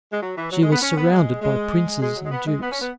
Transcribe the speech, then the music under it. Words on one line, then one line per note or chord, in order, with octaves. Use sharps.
She was surrounded by princes and dukes.
G#3
F#3
E3
F#3
G#3
B3
C#4
B3
G#3
G#3
G#3
F#3
G#3
B3
G#3
B3
C#4
B3